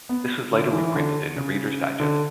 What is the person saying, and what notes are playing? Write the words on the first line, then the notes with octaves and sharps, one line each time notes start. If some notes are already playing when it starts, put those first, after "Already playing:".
This was later reprinted in "the Reader's Digest".
B3
D3
E3
D3
C#3
D3